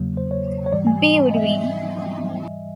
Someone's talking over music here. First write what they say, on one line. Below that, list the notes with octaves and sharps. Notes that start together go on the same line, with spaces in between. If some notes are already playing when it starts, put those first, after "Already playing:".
B would win.
Already playing: E2 C#3 F#3 A#3
C5
C#5
C#5
G#2 E3 G3 D5
G#5
D#5
E5